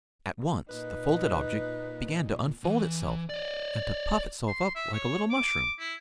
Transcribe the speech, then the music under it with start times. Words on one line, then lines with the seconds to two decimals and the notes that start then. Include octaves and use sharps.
At once the folded object began to unfold itself and to puff itself up like a little mushroom.
0.69 A#2 D#4 B4
2.64 E3
3.30 D5 D#5
4.48 C6
4.75 E5
4.93 C#5
5.30 D6
5.79 E4